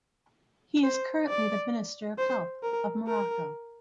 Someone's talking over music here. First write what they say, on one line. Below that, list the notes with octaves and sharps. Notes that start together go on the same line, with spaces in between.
He is currently the Minister of Health of Morocco.
C5
D5
C5
A#4
A#4